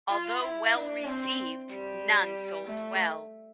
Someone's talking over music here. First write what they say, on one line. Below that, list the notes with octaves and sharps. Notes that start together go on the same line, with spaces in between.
Although well received, none sold well.
F4
E4
D4
C4
G3
A3